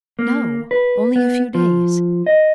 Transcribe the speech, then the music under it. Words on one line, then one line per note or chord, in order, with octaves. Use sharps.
"No; only a few days."
A#3
B4
B3
F3
D#5